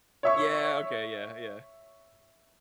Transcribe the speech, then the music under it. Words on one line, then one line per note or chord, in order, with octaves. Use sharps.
Yeah, okay. Yeah, yeah.
C#5 E5 C#6